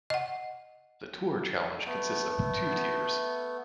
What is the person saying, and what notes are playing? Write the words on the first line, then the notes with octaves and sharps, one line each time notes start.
The Tour Challenge consists of two tiers.
D#5 F#5
A3 B3